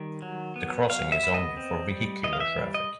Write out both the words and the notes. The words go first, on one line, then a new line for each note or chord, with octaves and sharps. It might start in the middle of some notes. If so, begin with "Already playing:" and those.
The crossing is only for vehicular traffic.
Already playing: D#3 G3
F#3
B3
F#3 F5
E5
B3
D#5
C4
G3
E3 D#5
F5
E5
G3
D#5